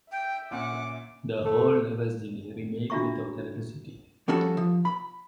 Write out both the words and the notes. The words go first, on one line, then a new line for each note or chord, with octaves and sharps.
The whole Nevesinje remained without electricity.
E5 G5
A#2 C#4 F#5 D6
A3
D4 F4 F#4 E5 A#5 C#6
F3 G3 C#4 F#4 A4
F3
B5